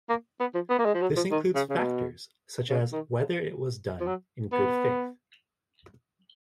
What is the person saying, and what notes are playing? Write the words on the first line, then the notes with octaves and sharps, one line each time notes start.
This includes factors such as whether it was done in good faith.
A#3
B3
F3
B3
A#3
G#3
F3
F#3
F3
D#3
C#3
C#3
B2
C#3
D#3
F3
F#3
B3